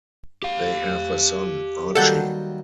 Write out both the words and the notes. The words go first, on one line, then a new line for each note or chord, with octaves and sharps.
They have a son, Archie.
G4 F5
D#2 F#3 G3 A4 F#5 G6